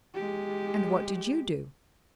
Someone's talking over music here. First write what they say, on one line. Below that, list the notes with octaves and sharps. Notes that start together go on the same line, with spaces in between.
'And what did you do?'
G#3 G4